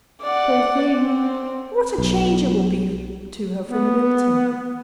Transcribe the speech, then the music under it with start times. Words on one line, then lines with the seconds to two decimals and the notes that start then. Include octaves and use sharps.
Poor thing! what a change it will be to her from Milton!
0.22 D5 F#5
0.97 C4
1.98 B1
3.70 B3